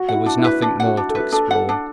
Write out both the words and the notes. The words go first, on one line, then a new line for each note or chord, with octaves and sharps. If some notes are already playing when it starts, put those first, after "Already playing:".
There was nothing more to explore.
Already playing: F#4
F#5
E4
D4
E4
B4
D4
F#5
F#4
D4
A4
B4
D4 A4
F#5
D4